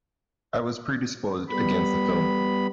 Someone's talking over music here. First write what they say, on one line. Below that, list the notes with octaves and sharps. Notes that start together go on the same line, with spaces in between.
I was predisposed against the film.
G3 B3 B5